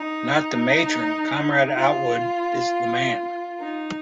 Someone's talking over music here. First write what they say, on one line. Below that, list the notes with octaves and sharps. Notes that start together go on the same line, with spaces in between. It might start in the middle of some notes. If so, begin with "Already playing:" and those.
Not the matron — Comrade Outwood is the man.
Already playing: D#4
F4
D#4